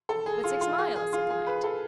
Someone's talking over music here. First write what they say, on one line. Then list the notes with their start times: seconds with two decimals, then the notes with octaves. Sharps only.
But six mile, said the knight.
0.09 A4
0.26 G#4
0.44 F4
0.61 F4
0.78 G#4
0.96 G#4
1.13 F4
1.30 G#4
1.47 B4
1.64 A4